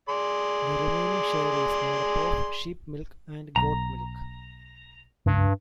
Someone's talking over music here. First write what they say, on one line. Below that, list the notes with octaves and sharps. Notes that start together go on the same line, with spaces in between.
The remaining share is made up of sheep milk and goat milk.
G#4 D5 C6
B1 A#5
F#1 C#2 G2